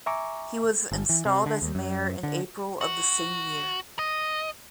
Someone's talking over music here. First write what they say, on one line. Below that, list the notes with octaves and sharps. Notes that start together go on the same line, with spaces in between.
He was installed as mayor in April of the same year.
E5 G#5 A#5 C#6 D6
G1
E3
C3
D3
D#2
F#2
D3
F#4
D#5